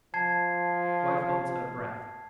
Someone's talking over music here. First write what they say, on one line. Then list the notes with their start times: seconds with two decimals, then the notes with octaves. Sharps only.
Wife holds her breath.
0.14 F3 A5 G#6 C7